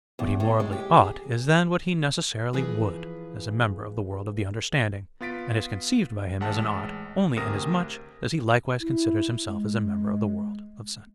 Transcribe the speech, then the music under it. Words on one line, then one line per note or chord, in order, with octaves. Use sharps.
What he morally "ought" is then what he necessarily "would," as a member of the world of the understanding, and is conceived by him as an "ought" only inasmuch as he likewise considers himself as a member of the world of sense.
E2
A2
G#3
G4
G#4
E3 F3 G#4 B4
B3 F4 A6 B6 D7
A1 G#3 F#5 A5
D2 C3 A#4 D#6 A#6
E4
G#3